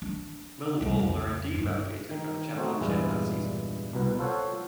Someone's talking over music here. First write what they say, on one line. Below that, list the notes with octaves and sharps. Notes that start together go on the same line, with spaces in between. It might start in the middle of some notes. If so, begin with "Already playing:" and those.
Millwall were indeed relegated from the Championship that season.
D4
C2 C3
F2 C#3
G2 D#4
D#3
A3 C4 D#4 F#4
E2 G2 A#2 G#3 E4
C2 B2 B4
F4 A4 C5 C#5 F5 F#5